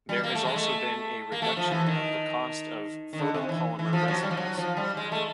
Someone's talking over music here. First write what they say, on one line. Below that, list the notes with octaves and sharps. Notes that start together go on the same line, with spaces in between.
There has also been a reduction of the cost of photopolymer resins.
G3
A#3
A3
G#3
A3
A#3
A3
F3
E3
D#3
D#3
D3
C3
E3
E3
F3
F#3
G3
F3
F#3
F3
G3
G#3
A3